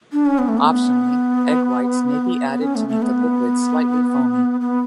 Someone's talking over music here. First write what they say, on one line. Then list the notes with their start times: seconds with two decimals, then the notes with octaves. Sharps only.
Optionally, egg-whites may be added to make the liquid slightly foamy.
0.13 D4
0.26 C#4
0.39 B3
0.48 A3
0.58 B3
2.49 B3
2.62 C#4
2.76 A3
2.89 A3
3.02 B3
4.60 B3